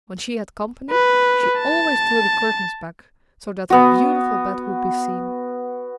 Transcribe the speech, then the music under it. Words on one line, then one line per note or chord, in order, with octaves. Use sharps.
When she had company, she always drew the curtains back so that her beautiful bed would be seen.
B4
A5
B3 F#4